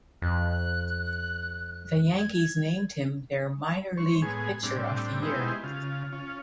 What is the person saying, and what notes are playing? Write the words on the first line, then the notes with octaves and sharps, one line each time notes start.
The Yankees named him their minor league pitcher of the year.
F2 F#6
G#6
C5 C#5 C#6
A2 G#3 B3 G#4
A2 G3 C4 D4
G#3 B3 D#4 E4 G4 C5
C#3 F4
C#4 F4